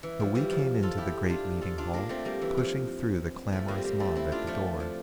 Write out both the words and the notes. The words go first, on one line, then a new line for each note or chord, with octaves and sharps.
So we came into the great meeting-hall, pushing through the clamorous mob at the door.
E3
F3
E3 G3
F3
F4 A4
E4 G4
D4 F4
F4 A4
D4 F4
A#3 D4
A3 C4
G3 A#3
E3
F3
F3 A3
G3 A#3
C4
G3 A#3
A3 C4
C4 E4
D4 F4
F3 A3
F3